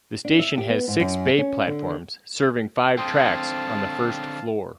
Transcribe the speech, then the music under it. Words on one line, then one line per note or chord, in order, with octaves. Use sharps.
The station has six bay platforms serving five tracks on the first floor.
D4
E5
G4
B3
G#2
F#2
C#4
D3
D3 C4 F5 G5 A5 C6 D#6